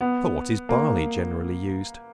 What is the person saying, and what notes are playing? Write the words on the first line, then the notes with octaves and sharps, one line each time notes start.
For what is Barley generally used?
B3
A#3